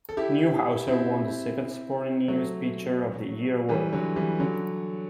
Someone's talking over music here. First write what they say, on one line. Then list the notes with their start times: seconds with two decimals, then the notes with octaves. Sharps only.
Newhouser won the second Sporting News Pitcher of the Year Award.
0.09 A4
0.17 E4 G4
0.88 C4 E4
2.28 F#3 A3
3.69 E3 G3
3.92 D3 F#3
4.16 E3 G3
4.40 D3 F#3